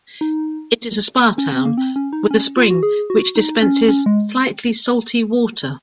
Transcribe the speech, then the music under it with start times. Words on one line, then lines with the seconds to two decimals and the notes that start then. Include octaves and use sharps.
It is a spa town, with a spring which dispenses slightly salty water.
0.21 D#4
1.38 C#4
1.52 C4
1.65 A#3
1.78 C4
1.96 C#4
2.13 D#4
2.31 C#4
2.56 F4
2.71 F#4
2.83 G#4
3.10 F#4
3.36 D#4
3.62 C#4
3.88 C#4
4.06 G#3